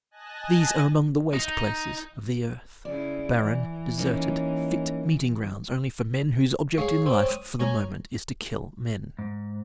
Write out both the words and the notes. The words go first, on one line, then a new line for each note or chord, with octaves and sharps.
These are among the waste places of the earth--barren, deserted, fit meeting grounds only for men whose object in life for the moment is to kill men.
D#5 G#5 A5 F#6 A#6
D#4
C#3 E4 D5
E3
A#3 C#4 D#4
G#4 C#5 F5
C4 C#4
D#6
C#4 G#5 A#5
G#2